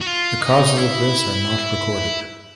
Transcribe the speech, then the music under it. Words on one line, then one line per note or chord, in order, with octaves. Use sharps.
The causes of this are not recorded.
F#4
F4
D#4
E4